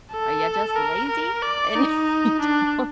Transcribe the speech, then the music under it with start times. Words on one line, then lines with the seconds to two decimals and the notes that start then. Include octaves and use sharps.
are ya just lazy? And you don't"
0.11 A4
0.76 A#4
1.09 A#4
1.42 D5
1.75 D#4
2.40 D4